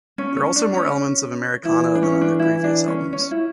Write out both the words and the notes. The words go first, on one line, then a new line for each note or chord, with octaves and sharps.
There are also more elements of Americana than on their previous albums.
C#4
C#4
D4
C#4
E3 E4
D4
C#4
D4
E4
D4
C#4
C#4
E4